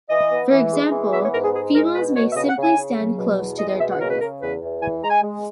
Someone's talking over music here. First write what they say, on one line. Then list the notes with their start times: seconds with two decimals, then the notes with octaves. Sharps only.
For example, females may simply stand close to their target.
0.10 E3 D#5
0.31 B3
0.51 E3
0.72 G#3
0.92 E3
1.13 B3 E5
1.23 C#5
1.33 G#2 A#4
1.44 G#4
1.54 G#3 G#4
1.74 G#3 A#4
1.95 B2 B4
2.16 B2 C#5
2.31 E5
2.36 C#3 D#5
2.49 F#5
2.57 C#3
2.63 G#5
2.77 C#3
2.97 F#3
3.18 B2
3.38 E2
3.59 G#3 D#5
3.69 D#5
3.79 B2 E5
3.89 F#5
4.00 C#3 A#4
4.10 B4
4.20 C#3 A#4
4.41 E2 B4
4.62 E2
4.82 E3 G#5
5.02 G#3 A#5
5.10 G#5
5.23 G#3